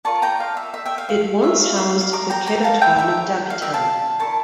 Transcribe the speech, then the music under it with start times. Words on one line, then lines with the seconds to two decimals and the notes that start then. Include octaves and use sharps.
It once housed the Kedatuan of Dapitan.
0.05 F4 A#4 D5 A5 C#6
0.22 G5 A#5
0.40 F5
0.57 E5
0.74 E5
0.85 E5 G5
0.98 F5
1.09 F5
1.43 F4 A#4 C#5 E5
1.61 F5
1.78 F5
1.90 F5
2.01 F5
2.13 A#5 D6
2.30 G5 A#5
2.46 G5 A#5
2.64 F5 A5
2.82 E4 A#4 C#5 E5 G5
2.98 E5 G5
3.50 F5
3.62 E5 G5
3.73 F5 A5
4.19 E4 A#4 D5 A5 C#6